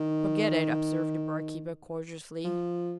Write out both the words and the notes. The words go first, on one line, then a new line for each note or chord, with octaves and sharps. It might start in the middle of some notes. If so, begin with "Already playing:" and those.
"Forget it!" observed the barkeeper cordially.
Already playing: D#3
F3